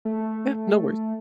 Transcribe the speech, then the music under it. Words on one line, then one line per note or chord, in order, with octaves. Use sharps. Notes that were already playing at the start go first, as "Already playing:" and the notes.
Yeah, no worries.
A3